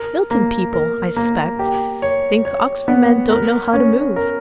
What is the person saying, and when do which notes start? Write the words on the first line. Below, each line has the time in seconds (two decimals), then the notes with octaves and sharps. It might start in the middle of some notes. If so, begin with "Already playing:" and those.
'Milton people, I suspect, think Oxford men don't know how to move.
Already playing: A#4
0.31 A#3
0.74 A#4
1.16 A#3
1.59 G4
2.02 C#5
2.45 C#5
2.88 B3
3.30 A#4
3.73 C#4
4.16 A#4